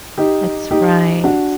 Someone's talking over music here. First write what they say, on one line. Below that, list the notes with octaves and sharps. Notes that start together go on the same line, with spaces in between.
That's right.
D#4 G4
D#4 G4
D4 F#4